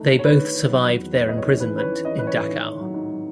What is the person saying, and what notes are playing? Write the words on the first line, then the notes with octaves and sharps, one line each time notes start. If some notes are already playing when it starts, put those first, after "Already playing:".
They both survived their imprisonment in Dachau.
Already playing: A3 D#4
D#3
C#5
D#3 B4
D#3
D#3
F#3
F#3
E2
E2 B4
E2 D#5
C#5
D#3
E3 B4
C#4 B4
C#5
E3
C#4 D#5
E3 B4
C#5
A2
D#3
G#2
F#3
G#2
F#3